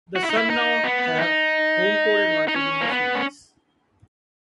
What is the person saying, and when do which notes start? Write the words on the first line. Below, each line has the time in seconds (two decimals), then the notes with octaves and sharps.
The Sun now have home court advantage in the series.
0.16 F#4
0.23 E4
0.30 D#4
0.37 E4
0.50 D#4
0.84 B3
1.19 D#4
2.48 D#4
2.56 C#4
2.81 A#3
2.91 B3
3.15 C#4